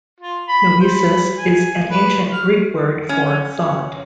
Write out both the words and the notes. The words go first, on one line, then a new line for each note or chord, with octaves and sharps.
"Noesis" is an Ancient Greek word for "thought".
F4
B5
C5
B5
G#5
B4
F6
C#4